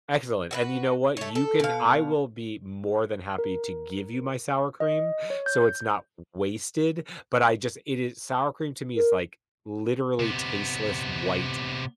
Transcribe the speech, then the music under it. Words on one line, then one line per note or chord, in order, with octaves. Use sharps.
excellent, and you know what, you can I will be more than happy to give you my sour cream, so it's not w wasted, but I just, it is sour cream to me is like literally tasteless, white
F#4 A4 B4
A3 C#5
A4
B2 F5
A#4
D#5
C#5
G6
A#4
C3 B3